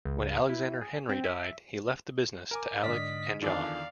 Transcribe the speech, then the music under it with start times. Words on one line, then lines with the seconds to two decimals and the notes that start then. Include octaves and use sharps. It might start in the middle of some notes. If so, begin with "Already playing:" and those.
When Alexander Henry died, he left the business to Alick and John.
0.05 C#2
0.50 E4
0.81 G#4
1.09 C4
1.24 E5
2.51 A#4 G#5 D6
2.84 G#2 D3 D5 D#5 F6 B6
3.42 E2 D3 D#3 D4 F4 D5 F5 G#5